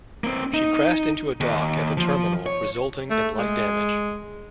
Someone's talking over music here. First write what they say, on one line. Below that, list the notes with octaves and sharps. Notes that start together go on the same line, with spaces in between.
She crashed into a dock at the terminal resulting in light damage.
A#3 C4
D#4
D#2
F3
C#5
A3
G#3